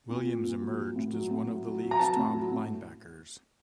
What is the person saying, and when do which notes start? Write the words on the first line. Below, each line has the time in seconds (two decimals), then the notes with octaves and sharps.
Williams emerged as one of the league's top linebackers.
0.10 A#2
0.27 A#2
0.45 A#2
0.62 F#3
0.79 F#3
0.96 A2
1.13 F#3
1.31 A2
1.48 F#3
1.65 F#3
1.83 F#3
1.91 A#5
1.99 F#3 A5
2.17 A2
2.35 F#3
2.52 A2